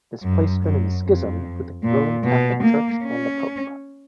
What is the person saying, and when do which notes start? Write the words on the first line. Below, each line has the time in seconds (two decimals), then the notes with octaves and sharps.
This placed them in schism with the Roman Catholic Church and the Pope.
0.23 F#2
0.64 F#2
1.04 F2
1.84 A#2
2.24 B2
2.63 A#3
3.04 C#4